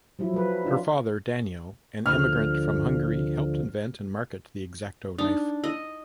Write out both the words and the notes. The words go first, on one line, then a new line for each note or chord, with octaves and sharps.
Her father, Daniel, an immigrant from Hungary, helped invent and market the X-Acto Knife.
F3 F#3 E4
F#3 B4
D4 F4
D2 D3 F3 F6
D4 D#4
E4 D#5